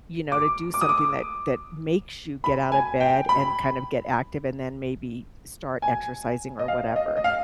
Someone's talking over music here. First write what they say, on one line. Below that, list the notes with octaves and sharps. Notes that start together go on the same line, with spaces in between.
you know, to do something that that makes you get out of bed and kind of get active, and then maybe start exercising or whatever.
D6
D6
D#6
D6
B5
G#5
G5
B5
G#5
D#5
F5
D#5
D#5
F5